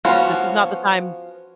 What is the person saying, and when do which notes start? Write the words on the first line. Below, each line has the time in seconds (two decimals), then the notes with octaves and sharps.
this is not the time
0.05 F3 B3 C#4 F4 F#4